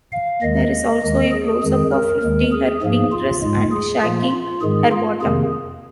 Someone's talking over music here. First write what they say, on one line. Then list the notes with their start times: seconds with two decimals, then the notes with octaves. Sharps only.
There is also a close-up of lifting her pink dress and shaking her bottom.
0.12 F5
0.42 D#2 D#3 G#3 D#5
1.02 D#2 D#3 G#3
1.32 G#4
1.62 F2 D#3 G#3 G#4
1.92 A#4
2.22 D#2 D#3 G#3 A#4
2.52 G#4
2.82 G#2 F3 A#3 G#4
3.12 F4
3.42 G#2 G#3
3.72 G#4
4.02 A#2 F3 A#3 F4
4.32 F4
4.61 G#2 D#3 G#3 G#4
4.92 F4
5.21 F2 C3 D#3 A#3 G#4